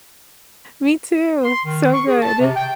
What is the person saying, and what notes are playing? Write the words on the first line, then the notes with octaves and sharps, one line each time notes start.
Me too. So good.
C6
D#3
C#6
G#4
A5
C3
G5